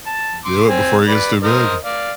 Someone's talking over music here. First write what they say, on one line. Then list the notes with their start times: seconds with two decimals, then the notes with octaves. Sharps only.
Do it before he gets too big.
0.07 A5
0.45 C6 D6
0.69 C4 G#5
1.08 B4 D5
1.43 A#4 C5 D#5
1.85 D5 F5